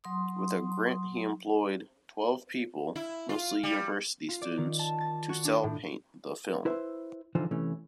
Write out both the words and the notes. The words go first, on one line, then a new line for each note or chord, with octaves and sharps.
With a grant he employed twelve people, mostly university students, to cel-paint the film.
F#3 C6 D#6
E4
F4
G3
F4
D5
D#3
A5
A6
F#4
D4
A2
E4 B4 C5 E5
D3 E3 F3 D#4 F4 C5
C3 E3 A3 C#4